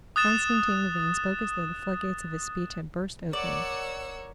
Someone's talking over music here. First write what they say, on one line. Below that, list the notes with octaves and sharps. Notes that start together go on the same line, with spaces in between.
Konstantin Levin spoke as though the floodgates of his speech had burst open.
D#6 F#6 A6 E7
A#4 C#5 D5 F#5 E6